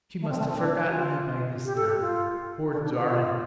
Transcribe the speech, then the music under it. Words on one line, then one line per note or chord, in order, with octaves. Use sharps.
She must have forgotten me by this time, poor darling!
A3
C4
A3
C4
D4
G4
F4
G4
A4
G4
F4
D4
D4
F4
F4